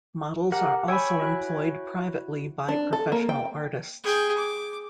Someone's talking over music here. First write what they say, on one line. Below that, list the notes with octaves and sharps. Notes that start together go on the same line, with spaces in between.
Models are also employed privately by professional artists.
G4 A#4 F#5
C#5 G5 G#5 B5 C#6 E6
E4 F#4 F#6
D4
A4
A#3
G5
G#4 G5
D6